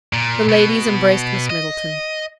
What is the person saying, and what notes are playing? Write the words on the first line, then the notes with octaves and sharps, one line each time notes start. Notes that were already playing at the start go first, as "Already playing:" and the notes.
The ladies embraced Miss Middleton.
A#2
B2
D#5